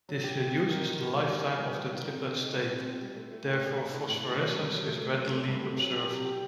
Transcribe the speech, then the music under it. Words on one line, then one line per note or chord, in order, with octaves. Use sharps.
This reduces the lifetime of the triplet state, therefore phosphorescence is readily observed.
F#3
G4
C4
C4
D#3
D#3
D#3
G3
D#3
D#3
G3
G3
D#3
C4
C4
D#4
G3
C4
C4
G3
A3
A3
G4
D4
A2
A2
A2
D4
F#3
G2
F#3
A3
A3
F#3
A3
G2
C4
F#3
G4
C3
G4